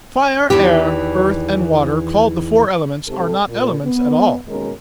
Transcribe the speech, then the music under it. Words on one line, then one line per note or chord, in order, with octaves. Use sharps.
Fire, air, earth, and water, called the four elements, are not elements at all.
E2 D#3 E3 G4
G#2 C3 G4 A4
A#2
B3
D#2 B2 G#3 C#4 A#4